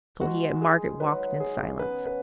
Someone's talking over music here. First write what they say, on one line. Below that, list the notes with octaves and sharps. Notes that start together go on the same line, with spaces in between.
So he and Margaret walked in silence.
D#3 G#3 D#4 F#4
G#4
F#3 D#4 F#4 B4
G#4
C#3 B3 F#4 B4
B4